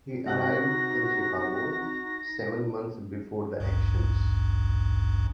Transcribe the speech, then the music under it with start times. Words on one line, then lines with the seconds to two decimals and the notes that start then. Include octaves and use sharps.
He arrived in Chicago seven months before the actions.
0.26 C3 D#4 F#4 F#5 F#6 A#6
3.60 A1 D2 G2